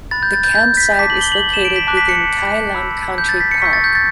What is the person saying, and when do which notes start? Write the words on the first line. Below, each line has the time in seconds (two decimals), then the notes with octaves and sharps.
The campsite is located within Tai Lam Country Park.
0.11 B5 F#6 A6
0.23 G6
0.33 A6
0.44 G6
0.55 G6
0.77 B6
0.99 A5 D6 G6 B6
1.10 F#7
1.21 G7
1.32 F#7
1.54 E7
1.65 D7
1.76 B6
1.87 A5 D6 F#6
1.97 B6
2.09 C#7
2.74 B5 E6 G6
3.18 G6
3.29 A6
3.41 B6
3.51 C#7
3.62 C#6 E6 G6 B6
3.73 A6
3.84 G6
3.95 A6